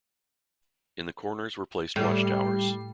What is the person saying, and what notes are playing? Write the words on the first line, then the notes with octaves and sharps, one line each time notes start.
In the corners were placed watch towers.
A2 G3 C7